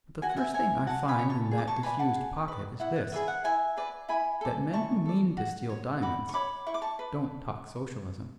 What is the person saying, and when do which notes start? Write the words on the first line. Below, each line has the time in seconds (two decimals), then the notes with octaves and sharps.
But the first thing I find in that disused pocket is this: that men who mean to steal diamonds don't talk Socialism.
0.22 F#4 G#5
0.29 F#5
0.37 E5 G#5
0.54 C#5 E5 G#5
0.87 F#4 F#5 A5
1.08 G#5 B5
1.19 C#5
1.29 A5 C#6
1.51 G#4
1.58 D6
1.67 A5 C#6
1.83 B4 D5 G#5 B5
1.99 F#5 A5
2.16 G#4
2.48 B4 D5
2.80 E4 F#5
2.96 F#5
3.12 G#4 B4 D5 E5
3.28 F#5
3.44 E4 E5 G#5
3.77 G#4 B4 D5
4.09 E4 G#5 B5
4.41 A4 D5
4.73 E4 A5 C#6
5.06 A4 D5
5.37 F#4
5.70 C#5
6.02 F#4 B5 D6
6.29 C#6
6.34 C#5 B5 D6
6.66 E4 C#6
6.74 D6
6.82 A5 C#6
6.99 B4